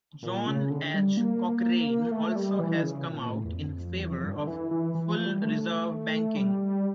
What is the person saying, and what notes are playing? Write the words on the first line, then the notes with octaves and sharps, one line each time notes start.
John H. Cochrane also has come out in favor of full reserve banking.
A#2
C#3
D3
G3
A#3
A3
G3
E3
C#3
A#2
A2
E2
F2
E2
F2
G2
D3
E3
E3
E3
F3
G3
A3
G3